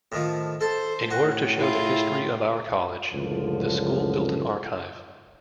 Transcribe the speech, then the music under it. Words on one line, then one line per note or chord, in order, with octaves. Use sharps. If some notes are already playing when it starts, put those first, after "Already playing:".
In order to show the history of our college, the school built an archive.
A2 D#3 F3
A4 C5 A5
A2 F#4
E4 F4 G#4
C#2 F#2 A2 D3 F3